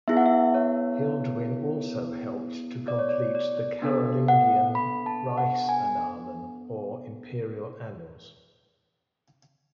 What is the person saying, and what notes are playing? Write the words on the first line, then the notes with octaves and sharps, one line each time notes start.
Hilduin also helped to complete the Carolingian "Reichsannalen", or imperial annals.
B3 E4 G#4 E5
F#5
E5
C#5
D5
C#5
D5
D5
B3 D4 A4
F#5
B5
A5
F#5
G#5